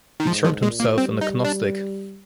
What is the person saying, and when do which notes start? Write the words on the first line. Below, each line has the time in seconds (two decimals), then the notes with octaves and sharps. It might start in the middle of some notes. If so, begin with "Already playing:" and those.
He termed himself an agnostic.
0.20 D#3
0.27 G#2 F3
0.44 F3
0.63 A#2 G#3
0.80 A#3
0.97 G3 C4
1.21 D#4
1.45 D4